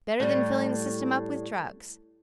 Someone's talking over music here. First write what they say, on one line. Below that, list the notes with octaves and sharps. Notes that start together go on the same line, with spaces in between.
Better than filling the system up with drugs.
A2 G3